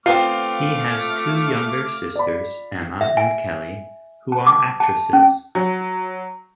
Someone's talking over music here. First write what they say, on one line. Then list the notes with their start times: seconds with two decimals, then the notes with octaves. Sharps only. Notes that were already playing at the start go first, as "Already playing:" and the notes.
He has two younger sisters, Emma and Kelly, who are actresses.
0.06 G3 A3 B3 C4 F4 D6 F6 C7
2.16 D5 B5
3.01 E5
3.17 G#5
4.32 A5
4.47 D6
4.80 A5
5.13 C#4
5.55 F#3